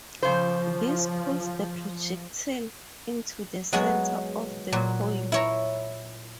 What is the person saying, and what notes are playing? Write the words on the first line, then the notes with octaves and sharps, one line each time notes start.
This pulls the projectile into the centre of the coil.
C#3 F3 C5
F#3 G#3 B3 F#4 G#4
A#2 F#3
E4 C#5 A#5